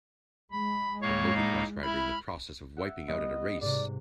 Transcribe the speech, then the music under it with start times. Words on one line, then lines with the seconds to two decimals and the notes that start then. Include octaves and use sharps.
A motocross rider in the process of wiping out at a race.
0.52 G#3 B5
1.02 A2 A#3 C#5 F5
1.36 D#4
1.83 E4 B5 F6
2.77 E5 F#5
3.08 G3 B3 D#5
3.61 G#2 C3 D5